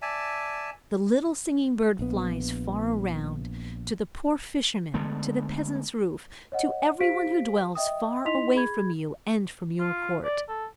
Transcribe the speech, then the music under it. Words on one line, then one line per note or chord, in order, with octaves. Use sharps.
The little singing bird flies far around, to the poor fisherman, to the peasant's roof, to every one who dwells far away from you and from your court.
D5 E5 G#5 A5
A#1 B3
D3 G#3 A3 B3
C#5 D#5 F#5
G4 C5 F5 B6 D7
D#5 E5 G5 D#6
D#4 E4 D#5 C6 B6 F7
G#4 B5 G#6
F4
D5
A4